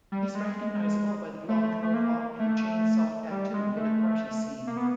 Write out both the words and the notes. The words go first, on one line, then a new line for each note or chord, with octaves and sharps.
He's recognizable by the blonde mohawk and chainsaw tattoo in a party scene.
G3
G#3
A3
A3
A#3
A3
G3
G#3
A3
A#3
B3